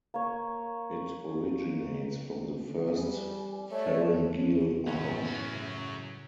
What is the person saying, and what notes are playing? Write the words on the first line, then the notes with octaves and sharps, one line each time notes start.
It originates from the first pharyngeal arch.
A#3 C#5
G3 G#5
A3 C#5 D5
A2 C#3 E3 F#3 C#4